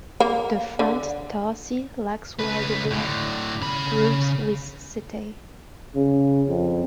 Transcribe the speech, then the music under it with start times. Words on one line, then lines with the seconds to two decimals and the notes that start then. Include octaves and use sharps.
The front tarsi lacks well developed grooves with setae.
0.20 A#3
0.79 D3
2.39 C#2 B4
2.91 A2 D3
3.62 C#3 B5
5.96 C#3
6.49 F2